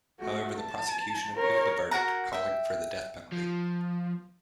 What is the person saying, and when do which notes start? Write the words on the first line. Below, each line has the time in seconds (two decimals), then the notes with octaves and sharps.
However, the prosecution appealed the verdict, calling for the death penalty.
0.20 A3 F#4
0.58 A5
1.36 A#4 C#5
1.91 F#4 A#4 F#5 A#5
2.33 E5 G5
3.33 F3